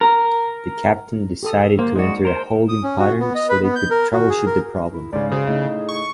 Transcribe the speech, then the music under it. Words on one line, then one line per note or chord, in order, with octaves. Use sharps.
The captain decided to enter a holding pattern so they could troubleshoot the problem.
A#4
G4 A4 D#6
A#3 C5
G#3 D#4 F#4 D5
A#4 C5
D#6
C#4
F#4
B3
D#5
B4
B3
G6
A#4
F#4
G#4
A#4
E4
G#2 C#3 D5
C#3 F#4 G#4 C5
A2 D#4 G#4
C#6